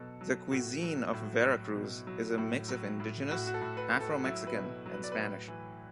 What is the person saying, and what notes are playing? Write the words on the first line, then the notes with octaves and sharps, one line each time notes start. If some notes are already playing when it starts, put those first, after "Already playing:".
The cuisine of Veracruz is a mix of indigenous, Afro-Mexican and Spanish.
Already playing: B2 F#3 A4
F#3
A2 F#4
F#3
A2
F#3
B2
F#3
A2
F#3
A2
A2 F#4
F#4
A4
A2
B4
A2
A4
F#3 E4
B4
B2
F#3
B4
D5
B4
A2
E3